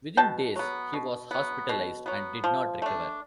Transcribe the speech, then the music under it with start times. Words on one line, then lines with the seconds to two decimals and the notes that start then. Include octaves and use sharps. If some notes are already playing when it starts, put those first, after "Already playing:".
Within days, he was hospitalized, and did not recover.
0.17 B2 G5 A5
0.56 F#3 B3
0.93 B2
1.31 F#3 B3
1.69 B2
2.06 F#3 B3
2.44 F3
2.82 A3 D4